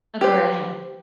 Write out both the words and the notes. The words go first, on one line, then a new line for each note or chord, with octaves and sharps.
Oh, go right ahead.
G4 B4 C5